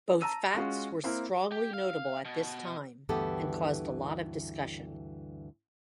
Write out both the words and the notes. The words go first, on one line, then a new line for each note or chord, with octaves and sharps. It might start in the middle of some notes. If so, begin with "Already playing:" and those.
Both facts were strongly notable at this time and caused a lot of discussion.
A5 A#5 E6 D#7
G#3 C#4 F4 F#4
A#3 C4 E4 A#4
G4
F5
B2
D2 G2 E3 B3 G4 A4